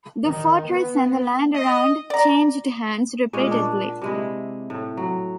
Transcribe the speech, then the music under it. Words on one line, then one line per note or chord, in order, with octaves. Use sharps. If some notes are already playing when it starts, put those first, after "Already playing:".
The fortress and the land around changed hands repeatedly.
D#3
B3
D#5
D5 A#5
A#2 G#3 C#4 C#5
D4
C3 G#3 E4
A2
F#3